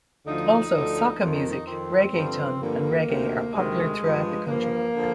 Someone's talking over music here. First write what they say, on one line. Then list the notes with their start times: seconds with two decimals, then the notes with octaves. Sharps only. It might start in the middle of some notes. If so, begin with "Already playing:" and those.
Also, soca music, reggaeton and reggae are popular throughout the country.
0.25 D2 D3 F3 D#4
0.73 D2 D3 F3
1.19 F2 D#3 F4
1.35 D#4
1.50 D#4
1.66 F2 D#3 C4
2.13 G2 D3 F3
2.59 G2 D3 F3 A#3
3.06 D2 C3 D#3
3.53 D2 C3 D#3 G#3
4.00 G2 F3
4.46 G2 F3 A#3
4.95 D3 F3